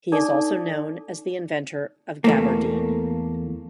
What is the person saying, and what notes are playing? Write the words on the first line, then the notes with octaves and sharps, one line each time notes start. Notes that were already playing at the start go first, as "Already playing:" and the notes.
He is also known as the inventor of gabardine.
D4 D#4 A4 D5 A5 D6
E2 A3 A#3